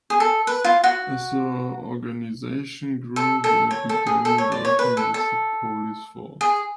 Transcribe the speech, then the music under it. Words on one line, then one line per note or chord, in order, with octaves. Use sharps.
As the organization grew they began working with the police force.
G#4
A4
B4
F4
F#4
A4
A4
C#5
A4
G#4
A4
C#5
D5
C#5
B4
A4
A4
G#4